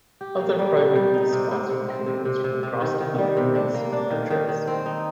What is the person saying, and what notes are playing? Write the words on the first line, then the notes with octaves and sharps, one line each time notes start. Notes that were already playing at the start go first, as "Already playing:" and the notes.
Other privately sponsored canoes from across the country made similar trips.
G4
A#3
G3
G3
G3
D#4
C3
C3
C3
C4
C3
C3
C3
C3
D#3
D#3
G3
C3
D4
A#3
D4
D#3
D#3
D#3
C4
D#4